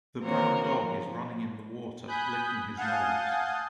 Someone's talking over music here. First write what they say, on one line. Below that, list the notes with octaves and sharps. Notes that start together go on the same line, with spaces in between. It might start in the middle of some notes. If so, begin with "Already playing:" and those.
The brown dog is running in the water licking his nose.
E3 A#3 C4 F#4 A#4 C#5
F3
G#5 B5 D#6 F#6 G6
F5 F#5 G#5 A5 D#6 G6